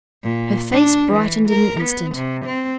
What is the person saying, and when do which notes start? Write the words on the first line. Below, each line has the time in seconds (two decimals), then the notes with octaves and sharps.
Her face brightened in an instant.
0.24 A#2
0.72 D4
1.12 E3
1.48 A#4
1.81 B3
2.15 C3
2.46 C4